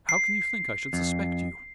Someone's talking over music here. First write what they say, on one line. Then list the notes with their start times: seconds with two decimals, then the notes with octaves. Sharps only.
"How can you think I should suspect you?"
0.09 C7
0.93 F2